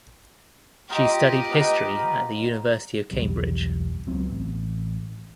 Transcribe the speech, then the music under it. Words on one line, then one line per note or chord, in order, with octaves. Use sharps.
She studied history at the University of Cambridge.
D#4 F4 G4 D#5
B3 D#4 A#4
F#1 B1 E2 G3
C#2 F#3 B3 C4
A1